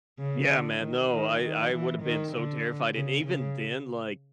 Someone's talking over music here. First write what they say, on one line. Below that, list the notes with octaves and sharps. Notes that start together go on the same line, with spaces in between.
Yeah, man, no, I I would have been so terrified, and even then, like,
C#3
D3
D#3
D#3
D#3
E3
D#3
D3
C#3
C#3